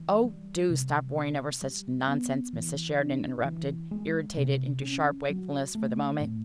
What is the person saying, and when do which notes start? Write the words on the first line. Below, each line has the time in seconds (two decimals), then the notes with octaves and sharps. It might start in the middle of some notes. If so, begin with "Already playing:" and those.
"Oh, do stop worryin' over such nonsense," Mrs. Sheridan interrupted, irritated into sharp wakefulness for the moment.
Already playing: E3
0.24 G3
0.70 C3
1.17 C4
1.62 G3
2.08 B3
2.53 E3
3.00 D4
3.45 E3
3.91 G#3
4.37 C3
4.83 C#4
5.30 F#3
5.75 A3
6.21 A2